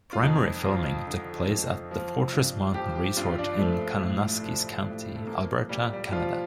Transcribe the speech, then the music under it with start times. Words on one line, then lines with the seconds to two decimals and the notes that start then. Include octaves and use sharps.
Primary filming took place at the Fortress Mountain Resort in Kananaskis Country, Alberta, Canada.
0.13 F4
0.22 F2 D#4
0.64 F3 F4
1.07 D3
1.48 F2
1.91 F3
2.33 G2
2.74 F3 G4
2.95 G4
3.17 G2 F4
3.38 D4
3.59 F3 A3
4.01 A2
4.43 F3
4.85 A2
5.16 A3
5.27 F3 A#3
5.69 A#2 G3
5.93 G3
6.12 F3 F4